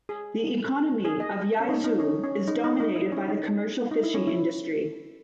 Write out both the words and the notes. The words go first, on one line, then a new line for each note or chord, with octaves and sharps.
The economy of Yaizu is dominated by the commercial fishing industry.
G#4
G#4
D#5
C#4
D#4
D#4
C#4
C#4
D#4
D#4
D#4
E4
C#4
D#4
D#4
E4
C#4
E4